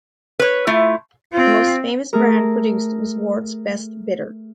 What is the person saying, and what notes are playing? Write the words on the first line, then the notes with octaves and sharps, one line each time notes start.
The most famous brand produced was Wards Best Bitter.
B4 C#5
A3 E4 F4
C4 F4
A3 G#4 A#4